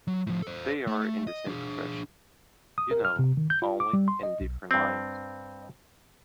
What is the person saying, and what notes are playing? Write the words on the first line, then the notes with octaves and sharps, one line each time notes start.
They are in the same profession, you know, only in different lines.
F#3
A2 F3
A4 C5
A3
D#5
D4 G#4
D#6
A#4
F6
C3
D#3
G6
F4
D6
G3
C6
D#5
B1
G2 C4